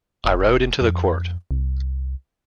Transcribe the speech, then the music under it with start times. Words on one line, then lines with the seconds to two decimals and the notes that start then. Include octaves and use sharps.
I rode into the court.
0.24 E1
0.81 F2
1.51 C2